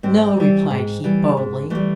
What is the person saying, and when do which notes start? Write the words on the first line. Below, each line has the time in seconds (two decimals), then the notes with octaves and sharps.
'No,' replied he, boldly.
0.03 G#2 C4
0.37 E3 G3
0.71 G#2
1.04 E3 G3
1.37 G#2
1.70 E3 G3 A3